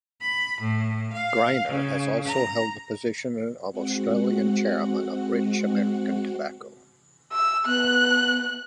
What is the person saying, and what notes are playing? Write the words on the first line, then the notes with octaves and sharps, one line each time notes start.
Greiner has also held the position of Australian chairman of British American Tobacco.
B5
A2
F5
C#3
A#5
G#3 C4 F#4 F#5
E6
B3 F#6